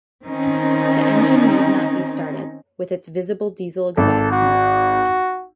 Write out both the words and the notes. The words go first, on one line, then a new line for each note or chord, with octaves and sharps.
The engine need not be started, with its visible diesel exhaust smoke.
D#3 C4 C#4 D#4
G#1 A4
F#4